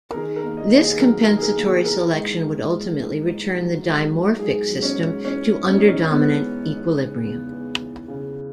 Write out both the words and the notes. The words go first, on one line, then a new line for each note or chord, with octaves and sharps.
This compensatory selection would ultimately return the dimorphic system to underdominant equilibrium.
A#4
D#3 G#4
A#4
D#2
D#5
D#2
G#4
F#3 A#4
A#4
D#3
G#4
A#4
D#2
G#4
G#4
E3 A#4
G#2
E3
G#2
E3
G#2
F#3
G#2
F#3
G#2 G#4
F#3
C#4
G#2
E3 C#4
G#2
C#4
E3 D#4
C#4
G#2 B3
E3
G#2
C#3
E2
E2
E3
C#3